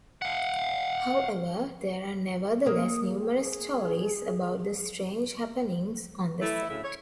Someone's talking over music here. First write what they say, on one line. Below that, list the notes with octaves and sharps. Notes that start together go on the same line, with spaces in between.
However, there are nevertheless numerous stories about the strange happenings on the set.
F5 F#5
A#3 D#6
G#4
E3 A3 E4
D2 A2 C#3 E5
C#5